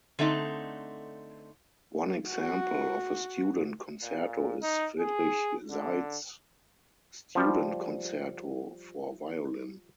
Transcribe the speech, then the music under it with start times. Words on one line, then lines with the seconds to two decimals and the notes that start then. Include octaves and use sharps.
One example of a student concerto is Friedrich Seitz's "Student Concerto" for violin.
0.19 D3 A3 C4 D#4
2.30 F#4
4.03 A#2
4.62 D#4
5.00 G#4
5.70 D3
7.35 F3 G3